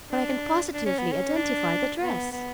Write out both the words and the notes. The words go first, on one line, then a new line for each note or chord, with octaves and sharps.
"But I can positively identify the dress."
D4
D4
C#4
B3
C#4
D4
B3
B3